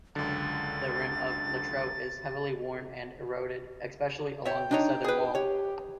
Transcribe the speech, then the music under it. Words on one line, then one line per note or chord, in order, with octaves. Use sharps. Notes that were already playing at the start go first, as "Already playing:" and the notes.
The rim of Littrow is heavily worn and eroded, especially along the southern wall.
C#2 F#2 D3 A6
C#5 E5 G5
D4 D#4 C#5
G#4 B4
G4 C#5